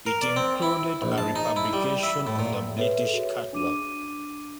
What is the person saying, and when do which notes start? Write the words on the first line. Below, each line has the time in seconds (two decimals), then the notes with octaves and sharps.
It included a republication of the British Catalogue.
0.06 A#4
0.22 D5
0.36 C4
0.62 E4
1.02 A#1
1.18 A5
1.36 D#4
1.56 E4
1.73 G3
2.03 E5
2.27 A2
2.39 A#2
2.77 G#4 A4 B4 C#5 E5
3.11 F#4 G#4
3.53 D4 D6 D#7